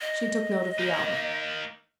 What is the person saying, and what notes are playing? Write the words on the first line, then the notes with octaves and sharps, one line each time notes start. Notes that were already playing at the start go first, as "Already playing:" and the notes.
She took note of the hour.
D#5
A#3 D#4